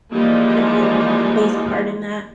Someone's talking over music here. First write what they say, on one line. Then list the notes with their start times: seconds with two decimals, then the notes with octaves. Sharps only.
different plays a part in that.
0.12 E3 F3 G3 G#3 A#3 D#4